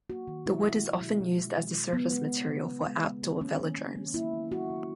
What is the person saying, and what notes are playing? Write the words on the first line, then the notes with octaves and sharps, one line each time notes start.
The wood is often used as the surface material for outdoor velodromes.
A#3 F#4
D#3
B2 E4
G#3
G#3
B2
B2
G#3
G#3
B2
C#3 B3
G#3
G#3
C#3
C#3
G#3
G#3
C#3
A#3 C#4
D#3
F#3
D#3
A#3 E4
D#3
F#3 F#4
D#3